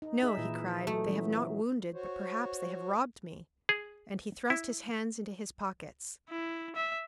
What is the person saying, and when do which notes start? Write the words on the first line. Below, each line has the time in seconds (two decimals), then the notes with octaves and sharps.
"No," he cried, "they have not wounded, but perhaps they have robbed me!" and he thrust his hands into his pockets.
0.02 D#4
0.22 D#4 G#4 E5
0.37 A#2 E3 E4
0.87 F#3 A3
1.08 E3 C#4
1.94 F#4 C5 C#5
3.69 G#4
4.50 E4
6.29 E4
6.76 E5